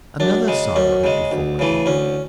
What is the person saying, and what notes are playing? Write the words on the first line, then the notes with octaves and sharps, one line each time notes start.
Another sorrow had befallen him.
F#2 D4
C#3 G#3
F#2 C#4
C#3 G#3
D2
C#3 E3 A3
D2 C#4